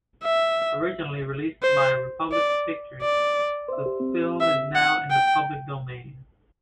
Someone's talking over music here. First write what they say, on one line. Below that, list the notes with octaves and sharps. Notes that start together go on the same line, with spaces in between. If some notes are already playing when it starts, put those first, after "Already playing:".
Originally released by Republic Pictures, the film is now in the public domain.
E5
C5
D5
D5
E5
F#5
G5